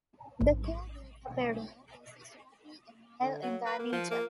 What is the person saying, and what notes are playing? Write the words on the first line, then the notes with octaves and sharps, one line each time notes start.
The core built up area, this is roughly a mile in diameter.
A1 G#2
D3
F#3
B4
A#3
F3
A#3